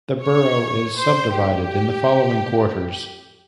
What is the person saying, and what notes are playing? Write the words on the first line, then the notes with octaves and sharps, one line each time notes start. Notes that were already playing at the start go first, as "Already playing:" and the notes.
The borough is subdivided in the following quarters.
C#5
C5
G4